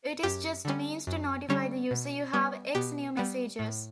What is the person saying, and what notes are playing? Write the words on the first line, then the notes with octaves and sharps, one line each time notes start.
It is just a means to notify the user "you have X new messages".
F#2 G4
D3 G3 C#4
F#2
D3 G3 C#4
B2
G3 B3
B2 G4
G3 B3
A2